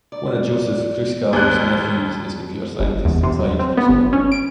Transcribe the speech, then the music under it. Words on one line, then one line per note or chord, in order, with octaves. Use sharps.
One of Joseph Kruskal's nephews is computer scientist Clyde Kruskal.
D5
D#2 F#6
G1
E2
C3
F#3
C4
B3
G1
C#4
D7